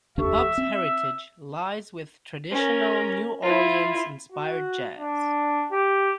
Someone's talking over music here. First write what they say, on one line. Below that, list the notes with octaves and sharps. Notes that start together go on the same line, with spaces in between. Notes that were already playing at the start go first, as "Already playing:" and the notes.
The pub's heritage lies with traditional, New Orleans inspired jazz.
F1 D#2 D4 G4 A4 E5 C#6
C4 E6
C#4 A#4
E4 F4
F#4
D4
G4